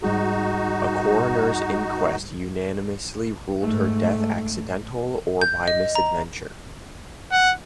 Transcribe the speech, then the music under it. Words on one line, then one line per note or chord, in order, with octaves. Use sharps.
A coroner's inquest unanimously ruled her death accidental or by misadventure.
G#2 G3 D#4 F#4 G#4
G#2 A3
G6
D#5
A#5
F#5